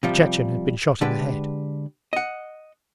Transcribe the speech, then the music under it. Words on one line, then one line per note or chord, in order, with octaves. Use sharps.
The Chechen had been shot in the head.
C3 F3 G3
D3 G#3 D4 G4 B4
D#5 F#5